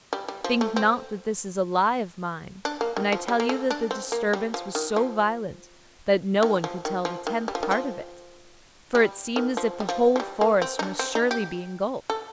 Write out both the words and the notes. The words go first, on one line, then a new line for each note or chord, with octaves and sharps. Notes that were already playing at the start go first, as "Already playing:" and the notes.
Think not that this is a lie of mine, when I tell you that the disturbance was so violent that no one could tell the tenth part of it: for it seemed as if the whole forest must surely be engulfed.
G3
G3
F3
A3
C4
D4
A#3
D#3
F3
G3
A#3
A3
D4
C4
A#3
G3
F3
D#3
F3
D#3
F3
D#3
F3
D#3
G3
F3
D#3
F3
G3
D#3
F3
G3
F3
F3
G3
A#3
C4
D#4
D4
C4
D#4
G4
A4